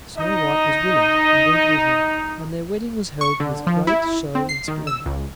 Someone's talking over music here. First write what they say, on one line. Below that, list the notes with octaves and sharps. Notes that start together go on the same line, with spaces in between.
Snow-white was willing, and went with him, and their wedding was held with great show and splendor.
D#4 D#5
C#6
D3
F3
E4
C4
C7
D#3
E6
C#2